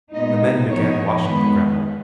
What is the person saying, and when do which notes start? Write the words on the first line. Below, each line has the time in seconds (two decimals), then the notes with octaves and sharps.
The men began washing the gravel.
0.13 A#2 G#3 B3 D#4 D#5
0.69 F3 B3 D#4 C#5
1.24 D#3 G#3 B3 B4